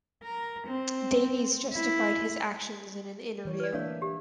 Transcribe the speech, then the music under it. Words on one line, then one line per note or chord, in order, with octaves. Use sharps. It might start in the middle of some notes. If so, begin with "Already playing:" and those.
Davies justified his actions in an interview.
A#4
C4
E4
E3 C#5
B4 D5
A#3 D4 C#5 E5 F5
G4